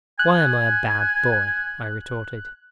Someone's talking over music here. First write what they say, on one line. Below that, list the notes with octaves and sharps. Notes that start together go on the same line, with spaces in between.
"Why am I a bad boy?" I retorted.
G#5 F#6